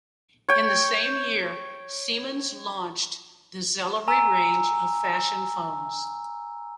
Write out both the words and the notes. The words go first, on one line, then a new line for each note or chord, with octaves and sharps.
In the same year Siemens launched the Xelibri range of fashion phones.
C#5 G5
G#5 A#5 E6